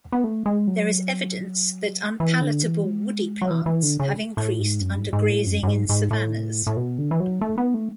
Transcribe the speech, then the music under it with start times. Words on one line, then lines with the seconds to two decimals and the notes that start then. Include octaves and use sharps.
There is evidence that unpalatable woody plants have increased under grazing in savannas.
0.12 B3
0.24 A3
0.46 G#3
0.67 F#3
2.20 E3
2.41 D3
2.63 E3
2.84 G#3
3.42 F#3
3.50 E3
3.66 E3
3.83 D3
4.00 C#3
4.37 A2
4.59 G#2
4.81 F#2
4.97 G#2
5.13 G#2
5.30 A2
5.46 F#2
5.63 F#2
5.67 G#2
5.89 G#2
6.11 A2
6.67 A2
6.77 B2
6.98 D3
7.11 E3
7.20 F#3
7.41 A3
7.58 B3
7.74 A3